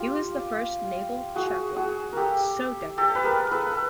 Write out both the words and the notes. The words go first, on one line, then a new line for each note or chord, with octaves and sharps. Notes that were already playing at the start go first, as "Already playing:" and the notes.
He was the first Naval Chaplain so decorated.
Already playing: F4 G4
F#4 G#4
F#4 G#4
G4 A4 A#4
G4 A4
B4
G#4 A#4
A4 B4
A4